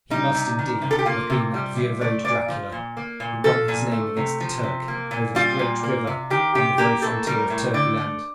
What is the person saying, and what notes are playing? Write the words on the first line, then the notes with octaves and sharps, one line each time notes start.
He must, indeed, have been that Voivode Dracula who won his name against the Turk, over the great river on the very frontier of Turkey-land.
G3 D#4
C3
D#3
C3
A4
G4
A#3 F4
C3
G3
C3
A3 D5
A#2 D5
F3
A#2
A#3
A#2
F3 A4
A#2
A3
C3
F3
C3
A#3
A#2
G3 F4
A#2
A#3
C3
D#3 G4
C3 G4
A#3 G4
A2 A4
G3 A#4
A2
D3 D5
A3